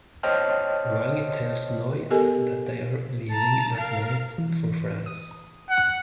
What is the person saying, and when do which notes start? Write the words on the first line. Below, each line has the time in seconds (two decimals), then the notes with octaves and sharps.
Vang tells Noi that they are leaving that night for France.
0.23 C5 C#5 D#5 G5 A5 F6
2.11 B3 G4 A4 A#4 D#5 G#5
3.31 A5 A#5
3.75 A#4 F5
4.38 E3
5.06 D#6
5.69 F#5